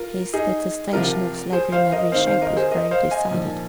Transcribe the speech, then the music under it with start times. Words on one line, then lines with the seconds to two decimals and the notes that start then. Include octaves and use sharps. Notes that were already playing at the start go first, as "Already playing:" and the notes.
His detestation of slavery in every shape was very decided.
Already playing: F4 A#4
0.33 D#4 G#4
0.93 C2 C3 F3 F4 A#4
1.52 G#4 C5
1.72 C5 F5
1.92 A#4 D#5
2.12 D#2 D#3 C4 C5 F5
2.27 C5 F5
2.42 A#4 D#5
2.57 G#4 C5
2.71 A#4 D#5
2.91 C5 F5
3.11 D#5 G#5
3.31 A#1 G#2 F3 A#3